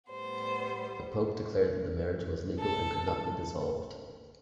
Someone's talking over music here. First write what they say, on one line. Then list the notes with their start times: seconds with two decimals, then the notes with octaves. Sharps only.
The pope declared that the marriage was legal and could not be dissolved.
0.10 A2 G3 B3 C5
2.60 A4